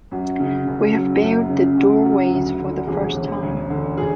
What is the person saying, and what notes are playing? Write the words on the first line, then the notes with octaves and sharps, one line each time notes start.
We have barred the doorways for the first time.
F#2 F#4
C#3
F#1
F#3
F#2
C#3
F#1 F#4
F#3
D2
D3
E1 G#4
E1
D2
D3
G#4